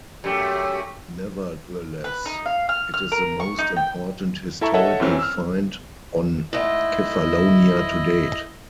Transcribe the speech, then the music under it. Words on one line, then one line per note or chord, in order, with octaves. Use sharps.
Nevertheless, it is the most important historical find on Kefalonia to date.
F#2 A3 G4
B4
D#4
F5
F6
F6
A#4
C#6
D#4
G5
E4 A4 E5 A5 A#5 C#6
A4 C#5 D#5 E5 F#5 A5
F#2 E3 C4 C#4
E6 F6
G#2 A3 E4 D#5